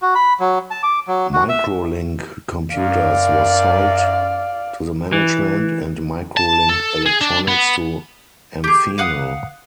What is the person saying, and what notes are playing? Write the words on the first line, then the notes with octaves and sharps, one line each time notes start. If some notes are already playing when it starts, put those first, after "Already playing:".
MicroLink Computers was sold to the management and MicroLink Electronics to Amphenol.
F#4
B5
F#3
A5
D6
F#3
F#4
E5
F#2 D5 F5
E3
A5
A4
G#4
D4
B3
G4 G#4
B4 F5 F#5 D#6